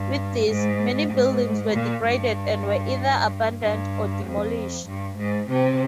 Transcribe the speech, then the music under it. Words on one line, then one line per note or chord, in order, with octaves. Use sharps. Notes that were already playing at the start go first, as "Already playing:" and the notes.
With this, many buildings were degraded and were either abandoned or demolished.
Already playing: G2
G#2
G#2
A#2
G2
G2
F2
G2
G#2
C3